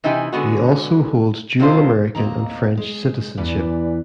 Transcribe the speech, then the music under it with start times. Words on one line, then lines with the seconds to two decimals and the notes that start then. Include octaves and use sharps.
He also holds dual American and French citizenship.
0.04 C3 E3 D#4 E4 G4 G#5
0.33 D3 G#3 B3 F#4
1.59 G2 C3 E3 G#3 F4 C5
2.15 D#2 F#3 A#3 C4 D#5 A#5
2.77 G#3
3.37 E2 E3 B4 D5